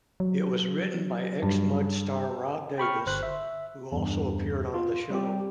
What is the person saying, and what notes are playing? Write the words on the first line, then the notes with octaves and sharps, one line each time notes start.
It was written by ex-Mud star Rob Davis, who also appeared on the show.
F#3
G2
G5 B5 C#6 F6
G1 C5 F#6
E5
E2 G2
F4
G3 C4 G4